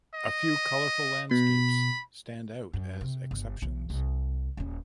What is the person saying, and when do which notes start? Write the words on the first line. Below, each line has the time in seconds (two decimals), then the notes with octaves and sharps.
A few colorful landscapes stand out as exceptions.
0.14 D#5
1.31 B2 B5
2.73 F#2
3.01 C3
3.31 G1
3.62 B1 E3
3.90 C2
4.57 D#1 C#4